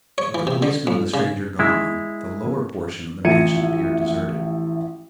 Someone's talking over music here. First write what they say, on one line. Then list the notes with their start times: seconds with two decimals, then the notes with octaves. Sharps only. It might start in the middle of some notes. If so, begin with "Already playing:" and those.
With the policeman and the stranger gone, the lower portion of the mansion appeared deserted.
0.18 C#5
0.35 E3
0.47 C3
0.62 D3
0.87 F2
1.14 C#3
1.59 G#3 E4
3.25 A1 F3 E5 G#6 C#7 D#7